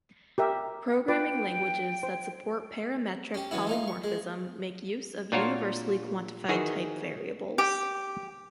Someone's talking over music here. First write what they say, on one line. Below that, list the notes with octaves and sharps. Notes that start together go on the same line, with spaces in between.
Programming languages that support parametric polymorphism make use of universally quantified type variables.
G4 A#4 E5
F4 B4 G5 D6
C5
C#4 G4
E3 F#3 B3 C#4 E4
A3 D#4 F4
C#6
G#3
A#2 D4 F4 F#4 A#4 C#5
D#3 E3 F#4 G#4
G4